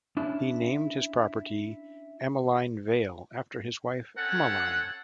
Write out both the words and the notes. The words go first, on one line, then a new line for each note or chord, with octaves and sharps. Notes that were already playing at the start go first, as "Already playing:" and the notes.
He named his property "Emmeline Vale," after his wife Emmeline.
C#4 D4 E4 A5
C4 C#4 A4 F#5